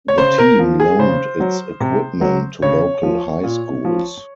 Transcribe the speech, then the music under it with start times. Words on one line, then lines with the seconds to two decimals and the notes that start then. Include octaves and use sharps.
The team loaned its equipment to local high schools.
0.08 C#5
0.18 C#3 C5
0.38 A#4
0.59 F3
0.80 G#4
0.99 C#3 C5
1.40 F#3
1.80 C3
2.21 F#3
2.62 C#3 C#5
3.03 F3
3.43 A#2
3.85 F3